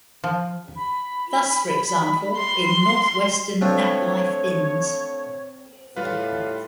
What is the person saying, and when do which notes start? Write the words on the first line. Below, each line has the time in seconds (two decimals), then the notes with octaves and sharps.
Thus, for example, in Northwestern Nat Life Ins.
0.24 F3
0.76 B5
2.36 C6
3.61 F3 A3 C4 D4 C#5
5.96 A2 G3 F4 B4 F5